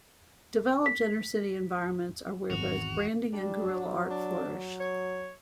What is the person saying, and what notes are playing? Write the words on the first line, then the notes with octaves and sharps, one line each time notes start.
Developed, inner-city environments are where both branding and guerrilla art flourish.
B6
G#1 E2 F#4 F7
G3 D4
F#3
D4
F#3
C#5